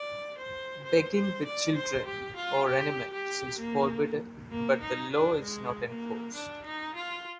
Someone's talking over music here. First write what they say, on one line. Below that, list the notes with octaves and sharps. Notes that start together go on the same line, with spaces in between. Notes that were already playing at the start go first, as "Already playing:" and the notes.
Begging with children or animals is forbidden but the law is not enforced.
Already playing: D5
C5
C5
C5
D5
C5
G4
F4
G4
G4
A#3
A#3
D#4
D4
G#3
A#3
D4
D#4
F4